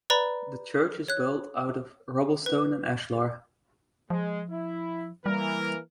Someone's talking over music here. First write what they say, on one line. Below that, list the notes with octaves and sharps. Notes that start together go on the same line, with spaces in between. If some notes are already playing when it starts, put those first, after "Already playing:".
The church is built out of rubble stone and ashlar.
B4 D5 A#5 B5
C#5 F#6
B4
F3 G#3
E4
E3 G3 A#3 A#4